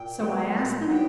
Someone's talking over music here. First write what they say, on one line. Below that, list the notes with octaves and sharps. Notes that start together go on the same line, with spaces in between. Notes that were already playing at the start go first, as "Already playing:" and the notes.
So I asked them.
Already playing: A#2 G5
F#3 B3
A#2 F#5
F#3 B3 G5